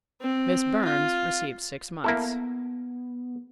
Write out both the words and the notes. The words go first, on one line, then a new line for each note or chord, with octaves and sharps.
Miss Burns received six months.
C4
F4
A#3 B3 E4 A4